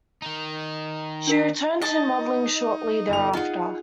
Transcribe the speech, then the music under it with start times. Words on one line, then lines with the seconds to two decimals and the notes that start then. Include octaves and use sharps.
She returned to modeling shortly thereafter.
0.22 D#3 D#4
1.27 D4 A#4 B6
1.82 D#4 D#5 A5
3.09 G1 A4 F7
3.33 D#4 F4 G#4 F#5